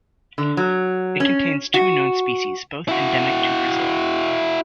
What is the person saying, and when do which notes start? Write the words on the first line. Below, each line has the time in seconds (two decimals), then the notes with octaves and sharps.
It contains two known species, both endemic to Brazil.
0.38 D3
0.57 F#3
1.20 C#4
1.74 F#4
2.88 E4 F#4